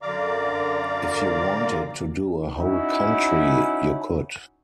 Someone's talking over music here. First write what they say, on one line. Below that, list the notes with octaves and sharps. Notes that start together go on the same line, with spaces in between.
If you wanted to do a whole country, you could.
F#2 D3 D5 F5 A#5 D6
C#4 D#4 E4 F#4